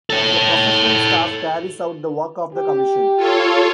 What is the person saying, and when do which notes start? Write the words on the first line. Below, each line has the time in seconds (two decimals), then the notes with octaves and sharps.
A professional staff carries out the work of the Commission.
0.10 A4 C#5
2.53 G4
3.16 F4 A4 C#5